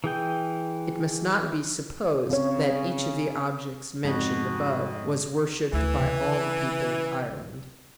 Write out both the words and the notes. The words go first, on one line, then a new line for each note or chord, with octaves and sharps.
It must not be supposed that each of the objects mentioned above was worshipped by all the people of Ireland.
E3 G#4 G5
C#3 C4 C#5
F2 G#2 F#4
D2 E3
C#3